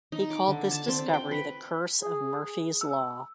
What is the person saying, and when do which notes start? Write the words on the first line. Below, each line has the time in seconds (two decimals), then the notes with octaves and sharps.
He called this discovery the Curse of Murphy's Law.
0.12 D#4
0.30 D6
0.48 D3
0.71 A5
0.88 C4
1.14 G5
1.31 B4
2.03 G#4
2.81 E6